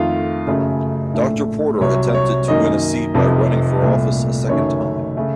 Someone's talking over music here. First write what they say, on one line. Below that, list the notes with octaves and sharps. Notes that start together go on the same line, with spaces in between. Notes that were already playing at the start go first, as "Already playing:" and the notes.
Doctor Porter attempted to win a seat by running for office a second time.
Already playing: F2 D#3 A3 F4 F5
F#1 F#2 C#3 A3
A#1 A2 A3
C2 C3 F#3 C#5
C#5
F#2 D#3 A#3 D#5
F1 F2 C3 F3
C2 A#2 A3
F#1 F#2 D#3 A3 C#5
C#3 A3